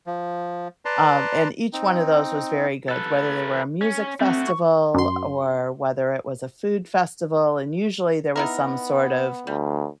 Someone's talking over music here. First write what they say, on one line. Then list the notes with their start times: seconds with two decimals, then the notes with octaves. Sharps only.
Um, and each one of those was very good, whether they were a music festival or whether it was a food festival. And usually there was some sort of
0.07 F3
0.85 B4 D5 A5 A#5 C6
1.73 C4 D#4
2.89 A4 B4
3.81 C#4
4.20 A3 C4 F#4
4.47 C#6
4.94 F#2 C6
8.36 B3 D#4 E4 A#4
9.47 D2 G3